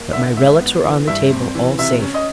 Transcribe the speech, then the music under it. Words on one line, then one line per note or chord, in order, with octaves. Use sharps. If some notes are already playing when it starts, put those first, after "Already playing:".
But my relics were on the table, all safe.
Already playing: A#3
D3 E5
G#2 E5
B3
E3
G2 E5
C4
E3
C3 E5
C#4
D#5